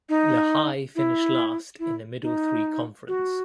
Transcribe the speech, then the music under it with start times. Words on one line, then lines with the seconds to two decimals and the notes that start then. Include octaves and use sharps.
Lehigh finished last in the Middle Three Conference.
0.09 D#4
0.96 E4
1.79 E4
2.22 D#4
3.08 F#4